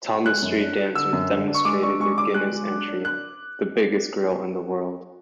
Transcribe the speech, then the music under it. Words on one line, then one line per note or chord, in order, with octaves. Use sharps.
Tomas Street Dancers demonstrated their Guinness entry: "the biggest grill in the world".
G#3 F#6
F#2
D4
D4
D3 E6
F#2
D3
D4
C#6
G#3 D6
D4 C#6
G#3 C#6
D4 D6
G#3 F#6
G#3
D4
D4
F#6